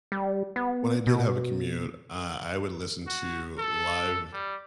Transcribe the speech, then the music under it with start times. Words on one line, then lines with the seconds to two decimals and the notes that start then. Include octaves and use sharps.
when I did have a commute, uh, I would listen to live
0.12 G3
0.56 B3
1.07 B2
3.07 F#4
3.58 A4
4.33 G3